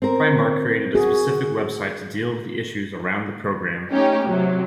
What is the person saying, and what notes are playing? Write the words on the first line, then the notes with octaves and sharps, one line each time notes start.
Primark created a specific website to deal with the issues around the programme.
C4 A#4
F#4 G#4
A3 C#4 D#4 G4
C3 F#3